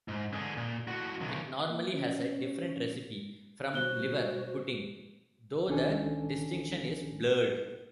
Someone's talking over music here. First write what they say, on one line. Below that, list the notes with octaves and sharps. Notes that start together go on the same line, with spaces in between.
It normally has a different recipe from liver pudding, though the distinction is blurred.
G#2
D3 G#4
A#2
A2 F#4
B1 D#3
A#3
C#4
B2 G3 F#4 C5 F#6 G7
C2 D#3 C#4 D4 A4 G#5